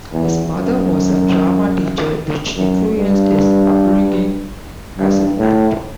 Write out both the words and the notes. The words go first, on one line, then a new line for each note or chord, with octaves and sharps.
His mother was a drama teacher which influenced his upbringing as an actor.
E2
F#2
F#2
G2
G2
A2